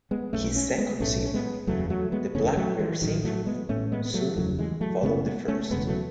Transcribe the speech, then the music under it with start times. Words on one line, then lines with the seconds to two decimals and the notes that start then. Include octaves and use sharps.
His Second Symphony, the "Blackbird Symphony", soon followed the first.
0.11 G#3 B3
0.33 A2 A3 C#4
0.36 B1
0.56 A3 C#4
0.78 G#3 B3
1.00 B1 A2 A3 C#4
1.25 C#4
1.34 G#3 B3
1.67 F#1 E2 C#3 F#3 A3
1.90 F#3 A3
2.12 G#3 B3
2.35 F#1 E2 C#3 A3 C#4
2.57 F#3 A3
2.79 E3 G#3
3.02 A1 A2 D#3 F#3
3.25 F#3 A3
3.46 G#3 B3
3.69 A1 A2 A3 C#4
3.92 G#3 B3
4.05 B3
4.14 F#3 A3
4.36 F#1 E2 C#3 F#3 A3
4.58 E3 G#3
4.81 F#3 A3
5.03 F#1 E2 C#3 G#3 B3
5.26 G#3 B3
5.48 A3 C#4
5.61 A3
5.70 E1 E2 C#3 G#3 B3
5.87 F#3 A3